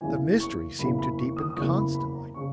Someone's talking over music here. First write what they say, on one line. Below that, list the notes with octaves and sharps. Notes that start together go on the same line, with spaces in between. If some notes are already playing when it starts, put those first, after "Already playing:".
The mystery seemed to deepen constantly.
F#1 E2 C#3 E3 G#5
C#6
F#1 E2 C#3 E3 B5
B5
C#6
D#6
D#6
F#1 E2 C#3 E3 C#6
B5
B5
A#5
C#3 C#6